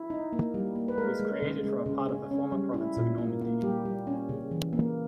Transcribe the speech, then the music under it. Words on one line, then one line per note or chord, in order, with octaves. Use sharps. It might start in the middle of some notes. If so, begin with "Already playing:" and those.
It was created from a part of the former province of Normandy.
Already playing: E4
D#4
A#3
G3
A#3
B4
G#3 A#4
G#3
C#3
G#3
C#3
C#4
C#4
G3
E4
A#2
A#3
A#3
G3 G4
G3
C#4
C#3
E3
A#3